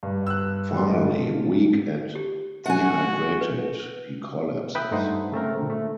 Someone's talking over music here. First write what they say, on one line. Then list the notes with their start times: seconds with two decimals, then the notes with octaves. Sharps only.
Finally, weak and dehydrated, he collapses.
0.03 G2
0.27 E6 F#6
0.74 G3 C6
0.88 F4 D#5
2.15 G4
2.66 F#4 F#5 G#5
3.41 B4
4.75 B4 E5 G5 B5 D#6
4.91 G2 A3 D#4 C5 F#5
5.32 C#3 A3 C4 A#4
5.57 A#2 D3
5.70 A3